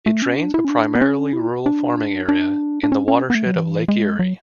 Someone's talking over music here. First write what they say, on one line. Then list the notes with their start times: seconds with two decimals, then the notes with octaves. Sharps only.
It drains a primarily rural farming area in the watershed of Lake Erie.
0.06 A3
0.22 C#4
0.38 D4
0.54 E4
0.65 C#4
0.70 D4
0.95 B3
1.01 C#4
1.33 E4
1.66 D4
2.29 D4
2.83 D4
2.92 C#4
3.08 C#4
3.30 B3
3.35 A3
3.46 F#3
3.56 E3
3.88 G#3
4.19 F#3